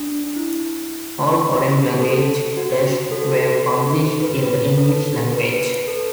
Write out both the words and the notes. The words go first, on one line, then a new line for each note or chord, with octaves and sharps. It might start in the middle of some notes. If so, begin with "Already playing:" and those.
All foreign language texts were published in the English language.
Already playing: D4
E4
A4
F#4
F#4
A4
B4
A4
B4
A4